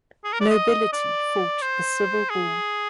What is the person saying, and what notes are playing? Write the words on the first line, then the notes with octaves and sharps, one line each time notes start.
Nobility fought a civil war.
G#4
A#4
D5
D#5
D5
C5
G#4